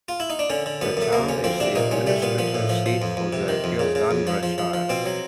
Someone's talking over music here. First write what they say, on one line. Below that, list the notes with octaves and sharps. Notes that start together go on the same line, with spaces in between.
The town is the administrative seat for the Gilgandra Shire.
F4
E4
D#4
D4
D3 C#4
D3
F#2 B3
F#2 A3
D2 A#3
D2 C#4
F3 C4
C3 D4
A#2 D#4
C2 C#4
G3 A3
A#2 B3
F3 B3
A2
F3
F3
F2
F2
C3
D#3
F2
C#3
C#3
F2
F3
F3
F3
F3
B2 C4
F#3